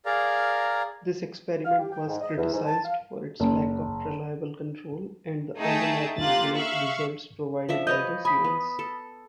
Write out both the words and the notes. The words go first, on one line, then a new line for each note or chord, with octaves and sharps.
This experiment was criticized for its lack of reliable control and the unreliable vague results provided by the seance.
G#4 A#4 D5 F5 A#5
F5
G4
G5
G#2
D#5
E2
G#2
A5
F5
F#1
A3 D#4 G#4 G5 A5
A#3 F4 G4 F#6 A6
E5 F5 C#6 F#6
F3 D4 E5
B4 C#5 D#5 G6
G#5 B5 D#6 B6
B3
A4